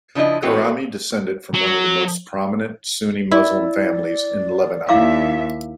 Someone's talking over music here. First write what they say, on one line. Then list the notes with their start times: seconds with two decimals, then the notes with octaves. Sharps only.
Karami descended from one of the most prominent Sunni Muslim families in Lebanon.
0.15 C#3 F3 D4 E4 D#5
0.42 E3 G#3 A3 C4 F#4 B4
1.54 F#3
3.31 E4 D5
4.89 D#2 E4 E5 F5 D6